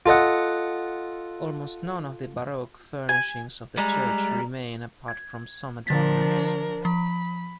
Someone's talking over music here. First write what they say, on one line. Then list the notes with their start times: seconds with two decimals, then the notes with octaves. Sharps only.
Almost none of the Baroque furnishings of the church remain apart from some adornments.
0.06 F4 A4 D#5 F#5
3.09 G#5
3.78 G3 G#3 A#5
5.08 G#6
5.87 D3 F3 D4 A#4 A6 B6
6.85 F3 B5